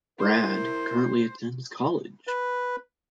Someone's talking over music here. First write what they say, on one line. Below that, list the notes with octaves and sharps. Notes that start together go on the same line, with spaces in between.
Brad currently attends college.
E4 A#4 C5
B4